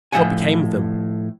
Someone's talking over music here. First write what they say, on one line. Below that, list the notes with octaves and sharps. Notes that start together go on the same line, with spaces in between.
What became of them?
A2 F3 C4 E5 F#5 G#5